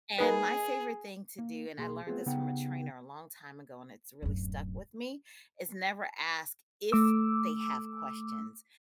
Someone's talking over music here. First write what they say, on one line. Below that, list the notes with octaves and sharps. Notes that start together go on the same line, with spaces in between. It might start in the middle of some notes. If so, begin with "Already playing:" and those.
and my favorite thing to do, and I learned this from a trainer a long time ago and it's really stuck with me, is never ask if they have questions,
A#3 D#4 G#4 B4
A#3
B1 A#3 G#4 C6
A3 B3 C4 F4 G#4
C#3 B3 D#4 G4 F#5 G5
D1 F#2
A3 D6 E6